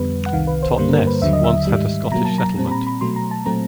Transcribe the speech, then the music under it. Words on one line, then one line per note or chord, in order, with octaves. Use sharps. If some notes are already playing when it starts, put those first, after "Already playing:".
Totness once had a Scottish settlement.
Already playing: F2 D3 G3 B3 B4
F#5
C2 C3 D#3 F5
B4
C5
G2 D3 G3 A#3 C5
A#4
B4
D#2 D3 F#3 E5
D#5
E5
G#2 D#3 G3
B2 F#3 A#3 A#5
A5
A#5
A#2 G3 C4
B5
A#5
B5
B2 F#3 A3 C6
A#5
A5
A#2 F#3 A3 C4 A#5